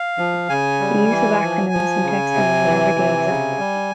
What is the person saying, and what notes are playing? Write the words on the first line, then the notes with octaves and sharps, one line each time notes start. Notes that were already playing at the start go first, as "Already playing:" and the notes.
The use of acronyms in texting is an everyday example.
Already playing: F5
F3
C#3 G#5
G3
E3
F3
F3
C#3
C3
E3
C3
C#3
G3